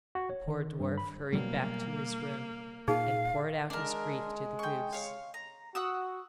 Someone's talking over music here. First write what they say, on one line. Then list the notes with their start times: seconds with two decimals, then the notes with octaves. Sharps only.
The poor dwarf hurried back to his room, and poured out his grief to the goose.
0.15 F#4
0.30 C#5
0.48 D#3
0.80 G2
0.98 B5
1.32 B2 F#3 G3 A#3
2.88 A#2 D#4 G#4 F5
3.70 G#3 D4 A#4
4.59 G5 C#6
4.92 C#5 F5
5.34 A#5
5.75 F#4 F#5 D#6 E6